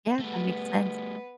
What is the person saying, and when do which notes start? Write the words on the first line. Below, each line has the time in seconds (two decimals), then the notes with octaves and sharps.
Yeah, that makes sense.
0.20 G3 A3 B3 B4